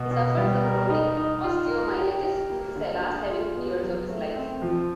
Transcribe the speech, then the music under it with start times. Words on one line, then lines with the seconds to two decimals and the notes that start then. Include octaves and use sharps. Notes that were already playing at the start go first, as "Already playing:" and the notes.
He suffered from chronic osteomyelitis for the last seven years of his life.
Already playing: B2
0.11 B2
0.37 G3
0.64 A#4
0.90 D#4
1.17 D#4
1.44 F4
1.70 A#4
1.97 G4
2.23 G4
2.50 A#3
2.76 D3
3.03 G#4
3.29 F4
3.56 B3
3.83 F#3
4.09 A3
4.36 C4
4.62 F3